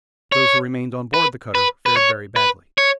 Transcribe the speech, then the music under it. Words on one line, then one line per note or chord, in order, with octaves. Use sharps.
Those who remained on board the cutter fared very badly.
C#5
B4
B4
B4
C#5
B4
C#5